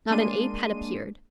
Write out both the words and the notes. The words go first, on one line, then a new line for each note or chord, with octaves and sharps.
Not an ape had appeared.
G#3 A#3 D4 C6 D#7